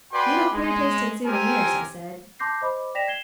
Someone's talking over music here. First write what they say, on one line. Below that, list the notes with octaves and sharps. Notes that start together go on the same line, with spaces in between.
'You've a queer taste in souvenirs,' I said.
F#4 B4 D5 G5 G#5 C6
G#3
C4 G4 A#4 G#5
A5 C6 D6 G6 A#6 C7
C5 D#5 B5 D6
D5 G5 A#6 B6 E7 F7
G#6 C7 E7 G7